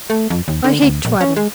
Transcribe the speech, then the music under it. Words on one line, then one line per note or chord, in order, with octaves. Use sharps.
I hate twaddle.
A3
F2
D#2
D3
D2
A#1
C#4
G#3